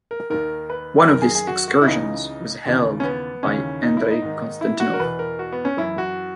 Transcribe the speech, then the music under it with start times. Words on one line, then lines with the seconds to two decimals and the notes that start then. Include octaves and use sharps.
One of this excursions was held by Andrey Konstantinov.
0.11 A#4
0.30 D#2 D#3 A#4
0.70 B4
1.00 B4
1.08 F#2 D#3 A#4
1.22 G#4
1.35 G#4
1.47 F#4
1.68 F#4
1.81 E4
1.87 C#2 C#3 E3 D#4
2.66 D#2 C#3 E3
3.00 C#4
3.04 B3
3.43 D#2 C#3 E3 C#4
3.82 D#4
3.97 E4
4.11 D#4
4.22 G#2 D#3
4.61 E4
4.80 F#4
4.93 A#4
5.00 E2 B2 B4
5.19 A#4
5.39 F#4
5.52 B3
5.65 C#4
5.78 F#2 E3 E4
5.98 F#4